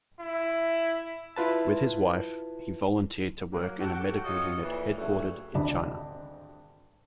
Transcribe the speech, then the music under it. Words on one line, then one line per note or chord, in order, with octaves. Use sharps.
With his wife, he volunteered to work in a medical unit headquartered in China.
E4
E4 F4 B4 A5
F#3 A#3
F#4 G4 A4
F4 A4 C#5 D#5
F2 A#2 E3
G2 A#2 C#3 F#3 G3 A3
G#1 D2 D4 B5